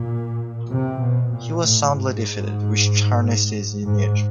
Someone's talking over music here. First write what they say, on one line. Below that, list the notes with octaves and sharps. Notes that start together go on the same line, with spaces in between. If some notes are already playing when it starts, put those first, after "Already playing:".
He was soundly defeated, which tarnished his image.
Already playing: A#2
C3
B2
A#2
A2
G#2
G#2